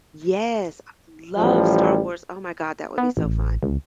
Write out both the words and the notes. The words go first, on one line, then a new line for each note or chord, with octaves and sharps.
Yes. I love Star Wars, oh my god, that would be so fun.
A1 F3 G3
B3
A1
C#2